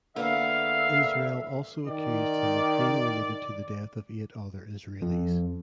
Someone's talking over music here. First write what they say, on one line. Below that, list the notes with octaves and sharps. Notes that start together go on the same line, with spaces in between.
Israel also accused him of being related to the death of eight other Israelis.
D3 A#3 B3 E5 F5
D#3 D5
F2